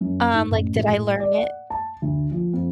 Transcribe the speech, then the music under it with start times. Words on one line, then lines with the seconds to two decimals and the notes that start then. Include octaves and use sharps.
Um, like, did I learn it?
0.01 F#2
0.33 G#2
0.51 A1
0.76 A2
0.89 A2
1.20 D5
1.38 F#5
1.70 A5
2.02 D2
2.32 F3
2.53 F2